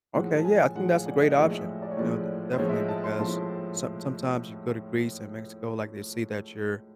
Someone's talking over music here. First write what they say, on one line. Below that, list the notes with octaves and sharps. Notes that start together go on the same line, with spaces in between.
Okay. Yeah. I think that's a great option, you know? D definitely because some sometimes you go to Greece and Mexico, like, they see that you're
A2 F3 G#3 F#5
A5
G#5
A2 F3 G#3 F#5
F5
D5
D#5
A2 F3 G#3
E5
D5
C#5
A2 F3 G#3 D5
C5
A2 F3 G#3 C#5
E5
D#5
A5
C6
A2 F3 G#3 A5